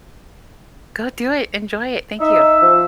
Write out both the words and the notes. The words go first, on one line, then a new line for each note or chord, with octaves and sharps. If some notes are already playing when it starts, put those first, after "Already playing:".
Go do it, enjoy it, thank you.
D#4 E5
F3